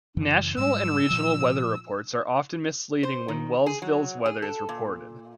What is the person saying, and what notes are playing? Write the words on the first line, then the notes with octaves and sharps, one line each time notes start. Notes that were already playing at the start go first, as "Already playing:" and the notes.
National and regional weather reports are often misleading when Wellsville's weather is reported.
F#2 C#3 E3
G#2 G3 G#3 E6
A#2 F3
C5
D#3
G#4
F#3
G#4
A4
A#2